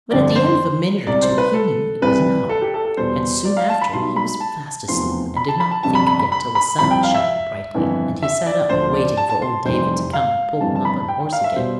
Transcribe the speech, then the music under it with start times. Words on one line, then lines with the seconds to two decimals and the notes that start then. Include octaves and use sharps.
But at the end of a minute or two he knew it was an owl, and soon after he was fast asleep and did not think again till the sun was shining brightly, and he sat up waiting for old David to come and pull him up on the horse again.
0.11 G1 F2 D3 G3 D5
0.36 C5
1.07 C2 C3 G3 D5
1.22 C5
1.38 B4
1.54 A4
2.02 C2 C3 E3 G3 B4
2.49 A4
2.62 G4
2.74 A4
2.85 A4
2.97 E2 B2 G3 C5
3.45 D5
3.57 F5
3.70 A5
3.81 B5
3.93 B1 B2 G3 C6
4.16 B5
4.40 A5
4.88 F1 E2 C3 F3 C6
5.36 B5
5.48 A5
5.60 B5
5.71 A5
5.83 G1 F2 C3 G3 A5
5.95 B5
6.07 B5
6.19 B5
6.32 B5
6.55 B5
6.79 C2 C3 F3 B5
6.91 G5
7.03 F5
7.14 E5
7.74 G1 F2 E3
8.23 E5
8.46 D5
8.69 D2 D3 F3 C5
8.93 D5
9.17 A5
9.30 A5
9.42 C6
9.65 F1 F2 C3 E3 G3 C5
10.13 F5
10.60 G1 F2 E3 G3 A5
10.76 A5
10.85 B5
11.09 G5
11.20 G5
11.33 F5
11.44 E5
11.56 B2 G3 C5